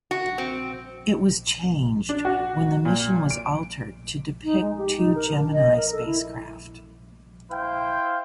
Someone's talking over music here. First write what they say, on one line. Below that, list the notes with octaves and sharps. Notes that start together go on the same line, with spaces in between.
It was changed when the mission was altered to depict two Gemini spacecraft.
F#4
C4
D4
F#4
A#2
D7
D#4
G#3
G4
D#4
A#4
D4
D#5
A#4
A4
E4
E4 C5 F5 G5